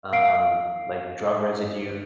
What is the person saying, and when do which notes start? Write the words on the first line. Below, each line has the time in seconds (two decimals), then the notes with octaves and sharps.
um, like drug residue.
0.13 F5 C7 D7